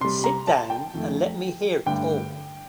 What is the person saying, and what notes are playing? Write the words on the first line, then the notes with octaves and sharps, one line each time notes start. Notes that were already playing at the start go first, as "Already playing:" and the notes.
Sit down, and let me hear it all.
C3 G3 C6
A#5
A5
G5
F2 D#3 A3
G2 D3 A3 G5